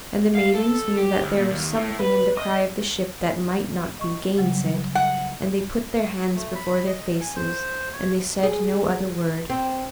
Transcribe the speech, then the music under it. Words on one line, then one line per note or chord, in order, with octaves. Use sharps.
And the maidens knew that there was something in the cry of the ship that might not be gainsaid, and they put their hands before their faces, and they said no other word.
F5
A4
G4
D2
A#2
D#2
A2
B4
D#5
D#5 C#6
C#3 F#3 G3
F#5
A3
B5
D#5
G#5
C5
C#5
G#4
C4